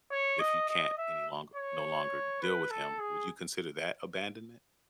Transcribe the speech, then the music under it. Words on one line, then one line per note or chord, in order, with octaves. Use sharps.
if you can't any longer no longer deal with him? Would you consider that abandonment?
C#5
D#5
D#5
E5
C#5
B4
A4
G#4